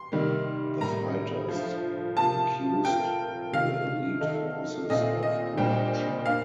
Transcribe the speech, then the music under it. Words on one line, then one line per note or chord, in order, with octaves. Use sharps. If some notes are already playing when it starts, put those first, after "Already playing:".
The fighters accused the Elite Forces of corruption.
Already playing: C6
C3 D#3 G3 A#3
A2 G3 A#3 A#5
F3 A3 D4 F4 C5
C3 F3 A#3 F4 A5
A3 C4 F4 A#4 G5
C3 D#3 A#3 F4 F5
D#3 A3 D#4 A4
A#2 A3 C4 F4 D#5
D#5
A#2 G3 D4 G4 C5 G5
A#3 D4 F5